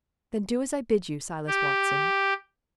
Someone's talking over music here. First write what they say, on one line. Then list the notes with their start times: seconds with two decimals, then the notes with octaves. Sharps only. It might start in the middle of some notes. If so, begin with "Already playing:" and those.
"Then do as I bid you, Silas Watson."
1.47 G4